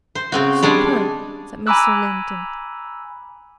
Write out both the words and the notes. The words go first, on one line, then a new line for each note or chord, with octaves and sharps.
"Supper?" said Mr. Linton.
C5
C#3 C4 F#4
G3 G#3 D4 G#4
G#5 A#5 B5 D6 E6 F#6